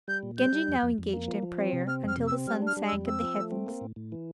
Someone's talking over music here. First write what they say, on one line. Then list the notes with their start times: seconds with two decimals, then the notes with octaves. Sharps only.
Genji now engaged in prayer until the sun sank in the heavens.
0.08 G3 G6
0.23 A#2
0.38 G3 G6
0.53 G3
0.68 F2
0.82 F2
0.98 F2
1.13 A#3
1.28 F3
1.43 F3
1.58 C4
1.73 C3
1.87 C4 F6
2.03 F2 F6
2.17 C3
2.27 E6
2.32 C4
2.48 G3 F6
2.62 D4 F6
2.77 G3
2.88 E6
2.92 F2
3.07 C4 E6
3.22 F3
3.37 A3
3.52 C4
3.67 A#3
3.81 A2
3.96 A2
4.12 E3